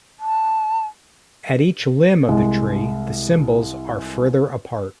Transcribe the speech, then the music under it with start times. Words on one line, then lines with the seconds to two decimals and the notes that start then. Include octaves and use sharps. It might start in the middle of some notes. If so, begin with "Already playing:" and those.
At each "limb" of the tree, the symbols are further apart.
0.20 A5
2.28 C2 G#3